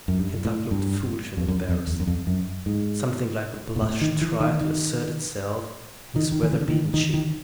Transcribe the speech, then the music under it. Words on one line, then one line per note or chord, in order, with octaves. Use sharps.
Kentuck looked foolish and embarrassed. Something like a blush tried to assert itself in his weather-beaten cheek.
F#2
G2
A2
G2
F2
F#2
F2
E2
F#2
F2
F#2
G#2
A#2
A2
D#3
E3
D#3
D#3
D#3
D#3
E3
C#3
D3
D#3
D#3
D#3